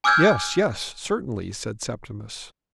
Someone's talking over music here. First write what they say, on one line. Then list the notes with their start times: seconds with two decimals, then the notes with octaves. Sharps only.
"Yes, yes, certainly," said Septimus.
0.04 G#5 D6 E6 F6 G6 G#6